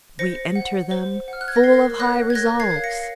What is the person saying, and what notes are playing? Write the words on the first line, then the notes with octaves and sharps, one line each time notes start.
We enter them full of high resolves.
C5 A#6 C#7
F#5
C5
F#5
F6
F#6
G#6
A#6
A#4 G#6 C7
C#5 F#5 F#6 A#6
G#6
A#4 F#6 A#6
G#6 C7
C#5 F5
A#6 C#7